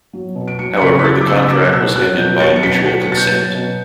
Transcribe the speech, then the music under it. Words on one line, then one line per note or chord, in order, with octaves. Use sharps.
However, the contract was ended by "mutual consent".
F#3
B2
D7
F#3 C#7
C#7
C#3 B6
B6
F#3 A6
D6
C#3 E6
E6
F#3 D6
F#6
B2 E6
F#3 F#6
B2 G6
F#3 A6
C#7
B2 B6
F#3 C#7
C#7
B2 A6
G6
F#3
B2